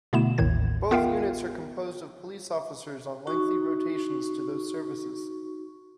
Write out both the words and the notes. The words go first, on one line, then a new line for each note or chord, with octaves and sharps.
Both units are composed of police officers on lengthy rotations to those services.
B2 D3 A3 B3 E4 E7
A1 D#2 A2 D#3 G#6
B3 F4 A#4 E5 F5 G5
D#4 F#4 C#6